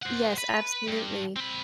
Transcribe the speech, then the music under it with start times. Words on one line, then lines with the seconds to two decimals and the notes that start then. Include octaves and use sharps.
yes, absolutely.
0.02 C5 F#5
0.38 B4
0.88 G2
1.36 C4 B5